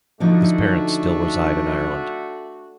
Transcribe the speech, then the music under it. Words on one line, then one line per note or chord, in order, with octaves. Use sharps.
His parents still reside in Ireland.
D3 F3 A3 D4 D#4 F#4